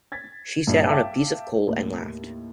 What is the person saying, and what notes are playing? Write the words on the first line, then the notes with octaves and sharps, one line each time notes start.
She sat on a piece of coal and laughed.
G#6 A6 B6
A#1 G2
E5 F5 G5 A5 D6
D#2 A2